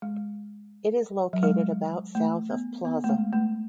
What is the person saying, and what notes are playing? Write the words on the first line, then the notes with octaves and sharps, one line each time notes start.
It is located about south of Plaza.
G#3
F#3
G#3
A3
B3
B3
A3
G#3
A3